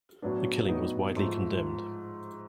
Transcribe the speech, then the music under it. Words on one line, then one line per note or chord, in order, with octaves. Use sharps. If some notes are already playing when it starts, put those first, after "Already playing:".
The killing was widely condemned.
A2 F#3 B3 D4
A2 F#3 B3 D#4
G#2 F3 A3